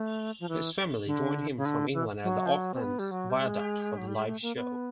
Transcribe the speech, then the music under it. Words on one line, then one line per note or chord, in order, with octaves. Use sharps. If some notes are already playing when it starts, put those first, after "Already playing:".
His family joined him from England at the Auckland Viaduct for the live show.
Already playing: A3
F3
E3
D3
C#3
D3
E3
F#3
F3
F#3
C4
B3
G3
F#3
G3
G#3
F#3
G3
G#3
A3
A#3
B3